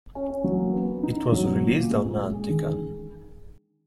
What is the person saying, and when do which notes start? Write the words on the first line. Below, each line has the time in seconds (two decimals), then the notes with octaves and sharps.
It was released on Anticon.
0.15 C#4
0.30 C#4
0.44 F#3
0.58 A#3
0.73 B3
0.88 B3
1.03 D#4
1.18 D#4
1.32 F#3
1.47 B2
1.62 A#2
1.76 A#2
1.90 G#3
2.05 G#3
2.19 G#3
2.34 G#4
2.49 D#3